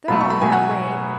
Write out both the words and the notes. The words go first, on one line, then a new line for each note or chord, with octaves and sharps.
They're all that way.
B2 F#3 A3 B5
C#6
B5
B2 F#3 A3 G#5
F#5